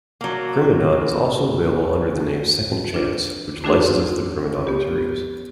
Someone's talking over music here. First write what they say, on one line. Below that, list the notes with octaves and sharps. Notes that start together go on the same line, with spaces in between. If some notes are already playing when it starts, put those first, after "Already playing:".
Criminon is also available under the name Second Chance, which licenses the Criminon materials.
F#3 A#3
D4 F4
A3 D4 D#4 F#4 G#4 A4
B3 G4